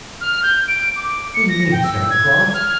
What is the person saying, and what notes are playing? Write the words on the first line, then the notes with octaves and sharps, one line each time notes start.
"Who you mean--Santa Claus?"
F6
G6
D7
D6
C#7
A#6
G5
E6
G#6
F6